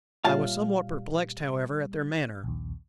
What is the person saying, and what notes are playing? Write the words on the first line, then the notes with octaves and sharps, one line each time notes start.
I was somewhat perplexed, however, at their manner.
A#2 G3 F4 C#5 E5 F5 A5
A#1 D#2